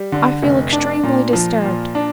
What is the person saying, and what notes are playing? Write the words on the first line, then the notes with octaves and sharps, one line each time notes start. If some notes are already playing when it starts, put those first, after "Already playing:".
I feel extremely disturbed.
Already playing: G3
D3
F1
D4
A#2
F3
A#2
D4